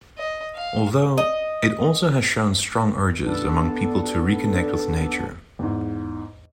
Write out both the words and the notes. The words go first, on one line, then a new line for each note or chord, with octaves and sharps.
Although, it also has shown strong urges among people to reconnect with nature.
D#5
F5
D#5
B3 D4 A4
E2 G#2